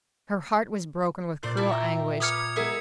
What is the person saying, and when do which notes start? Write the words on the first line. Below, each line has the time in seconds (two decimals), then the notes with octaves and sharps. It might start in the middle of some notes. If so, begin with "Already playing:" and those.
Her heart was broken with cruel anguish.
1.43 A#2 C5 D5
1.57 E4 A5 D6
1.69 E5 G5 A#5 C#6
2.20 B4 D6 D#6 F6 G#6 C#7
2.56 G#3 B3 G#4 A#4 E5